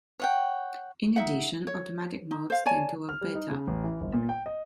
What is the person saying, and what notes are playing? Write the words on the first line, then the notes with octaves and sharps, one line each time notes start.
In addition, automatic modes tend to work better.
C#5 F#5 G5
D#4 E5 F#5
C#5
D#4
C5 F5
C#5 D5 G#5 A5
F6
G3
D#4
C#3
A1
E3
G1
A#2
G5
D#5